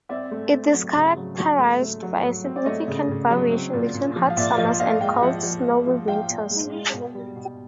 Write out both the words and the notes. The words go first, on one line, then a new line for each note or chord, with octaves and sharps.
It is characterized by a significant variation between hot summers and cold, snowy winters.
C4 D5 E5
A3
C4
F#3
C#3
F#3
F#3
A3
A3
F#3
F#3
C4
D5
A3 C#5 D#5
C#3
C#3
F#3
C4
A#2
A#2
F3
F5
A#2 D5 E5
F3 D#5 F5
A#2 D#5 F5
G#3 F5 G5
F3 E5 F#5
F3
G#3
F3
F3 F5 G5
A#2
G#3
G#3
B2
G3
B2